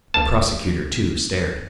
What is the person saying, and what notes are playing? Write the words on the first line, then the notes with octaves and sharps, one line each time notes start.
The prosecutor, too, stared.
D2 A#3 A5